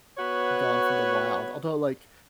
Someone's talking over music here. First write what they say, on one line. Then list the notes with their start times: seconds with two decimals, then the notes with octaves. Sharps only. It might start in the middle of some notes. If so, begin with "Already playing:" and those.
gone from the wild, although, like,
0.17 B3 F#4 B4 C#5